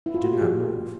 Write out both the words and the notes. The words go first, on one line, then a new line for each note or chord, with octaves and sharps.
She did not move.
E4
F4
F#4
G4
F3 G#4